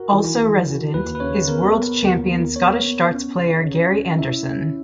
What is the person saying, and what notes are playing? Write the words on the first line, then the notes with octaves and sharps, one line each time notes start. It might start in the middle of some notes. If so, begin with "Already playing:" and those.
Also resident is world champion Scottish Darts player Gary Anderson.
Already playing: F#4 A#4
E3
E3
F#4
D#2 B4
B4
C#3 C#5
B3 A#4
B3
D#2
B3
B3 C#5
B3
C#4
C#3
C#4
C#4
E4 E5
C#4